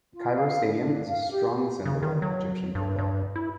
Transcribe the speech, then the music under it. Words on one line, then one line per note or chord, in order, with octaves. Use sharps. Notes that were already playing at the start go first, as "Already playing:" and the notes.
Cairo Stadium is a strong symbol of Egyptian football.
F4
F5
D4
F5
G4
C#3
D#3
F#3
G2
G2
E4